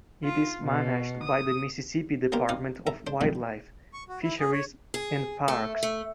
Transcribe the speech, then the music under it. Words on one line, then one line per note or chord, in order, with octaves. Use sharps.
It is managed by the Mississippi Department of Wildlife, Fisheries and Parks.
F4
B2
D#6
A#3 B3 D4 G4 A#4 C5
C4 D#4 D5 D#5 F5
A4 E5 A#5
D4 C5
C2 C3 D#3 F3 G3 A3
C#6
F#4
E4
G#4
C#5
G#4
A3
A3